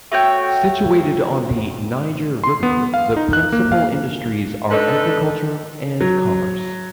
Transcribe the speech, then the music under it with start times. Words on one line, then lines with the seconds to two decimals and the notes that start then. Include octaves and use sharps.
Situated on the Niger River, the principal industries are agriculture and commerce.
0.12 A3 F#4 C#5 G5
2.44 C6
2.63 B3
2.94 F5
3.17 D#4
3.33 F#6
3.52 A#3
3.72 F5
4.71 D4 D#4 A4 B4
6.01 F#3